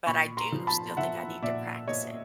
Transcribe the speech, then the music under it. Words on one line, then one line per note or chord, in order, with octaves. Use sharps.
but I do still think I need to practice it.
A#2 B5 C#6
A#5 C6
F3
A5 B5
F3 E5 F#5
A#2 D5 E5
A#2 C#5 D#5